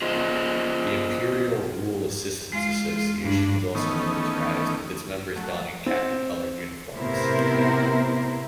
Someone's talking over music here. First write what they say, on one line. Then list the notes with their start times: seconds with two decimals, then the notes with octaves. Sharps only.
The Imperial Rule Assistance Association was also militarized, with its members donning khaki-colored uniforms.
0.02 F4 G#4 C5 D#5
2.52 G#3 F4
3.23 G2 D4
3.75 D#3 E3 A3 B3 C#4 D#4
5.36 F#3 A3
5.86 C4
6.96 A2 C3 B3 E4 A#4 C5